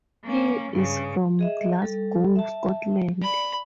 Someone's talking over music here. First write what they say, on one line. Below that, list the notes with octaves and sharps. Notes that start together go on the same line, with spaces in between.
He is from Glasgow, Scotland.
A#3 C#4
G2 C#3
G#4 D#5 E5
G3 A4
E5 A5
D5 B5